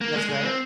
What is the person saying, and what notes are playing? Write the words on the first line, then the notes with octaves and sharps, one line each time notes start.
That's right.
A#3
G#3
G#3
C4